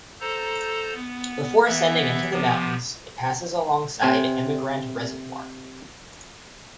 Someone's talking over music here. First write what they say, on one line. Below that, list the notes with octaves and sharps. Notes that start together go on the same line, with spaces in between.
Before ascending into the mountains, it passes alongside Emigrant Reservoir.
A4 C5 A#5
B3
E3 B3 E5
C3 F3 B3
C3 C4 G#5